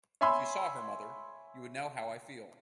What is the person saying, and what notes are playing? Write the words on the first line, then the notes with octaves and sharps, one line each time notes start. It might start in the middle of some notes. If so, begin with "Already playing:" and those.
If you saw her, mother, you would know how I feel.
C#5 E5 G#5 B5 C6 E6